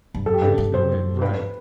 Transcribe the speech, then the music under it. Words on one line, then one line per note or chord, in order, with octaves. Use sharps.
There's no way. Right.
G2
F#2 A4
G4
G2 A4
G2
F#2 C5
G2 B4